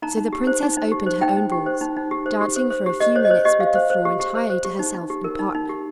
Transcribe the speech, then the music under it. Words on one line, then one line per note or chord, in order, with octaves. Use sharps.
So the princess opened her own balls, dancing for a few minutes with the floor entirely to herself and partner.
D#4 A#5
D#4
G4
C5
D#4
D#4
G4
C5
D#4 G5
D#4
G4
C5
D#4
D#4
G4
C5
G4
C5
C5
G4
G4 D#5
C5 C#5
D#5
C5 C#5
G4 D#5
G4 F5
C5
C5
G4
G4
C5
C5
G4
D#4
D#4
G4
A#4
D#4
D#4
G4